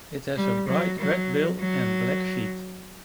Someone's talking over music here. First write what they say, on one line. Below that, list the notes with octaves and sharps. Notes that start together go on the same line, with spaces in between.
It has a bright red bill and black feet.
G3
F#3
F#3
F#3